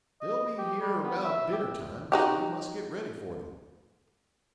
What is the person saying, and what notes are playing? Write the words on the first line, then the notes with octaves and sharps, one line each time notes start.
They'll be here about dinner-time, so we must get ready for them.'
D#5
G4
G3
B3
E5
G4
D#4 F#4 G4